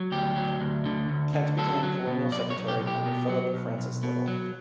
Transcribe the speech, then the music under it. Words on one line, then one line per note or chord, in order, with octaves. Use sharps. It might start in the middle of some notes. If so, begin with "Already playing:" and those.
Kent became Colonial Secretary under Philip Francis Little.
Already playing: F#3
D2 G4
F#3
D2
D3
D2
D3
F#3 A4
F#3
B2
B1 D5
C#5
B1
G4
B1
G4
B2
F#3
B1
B1
B2
F#3